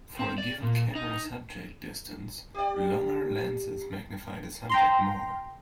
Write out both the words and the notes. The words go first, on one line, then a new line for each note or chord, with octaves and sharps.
For a given camera-subject distance, longer lenses magnify the subject more.
C4
D5
A#2
D#4
G4 D5
G5 A#5 C6